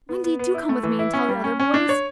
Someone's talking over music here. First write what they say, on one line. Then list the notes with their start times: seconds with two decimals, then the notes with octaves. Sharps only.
"Wendy, do come with me and tell the other boys."
0.09 B3
0.24 B3
0.39 B3
0.54 E4
0.69 A3
0.83 E3
0.99 E4
1.13 C#4
1.29 G3
1.44 C#4
1.60 C#4
1.74 D4
1.89 C#5